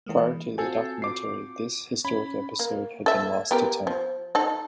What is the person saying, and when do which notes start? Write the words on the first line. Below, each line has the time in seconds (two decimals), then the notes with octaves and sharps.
Prior to the documentary this historic episode had been lost to time.
0.06 E3 G#3 A#3
0.58 C4 F4 F#4 A4 G#5
1.02 D6 C7
2.05 C#4 B5
2.59 A#3
3.06 A4 E5
3.51 B3 G4 A#4
3.87 F3
4.35 D#4 A4